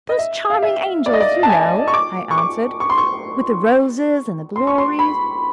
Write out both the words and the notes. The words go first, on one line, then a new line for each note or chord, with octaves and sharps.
'Those charming angels, you know,' I answered. 'With the roses and the glories!'
D#5
E5
F5
E5
D5
D#5
D5
A5
G#5
C#6
D6
C#6
D6
C#6
C6
C#6
C6
C#6
C6
B5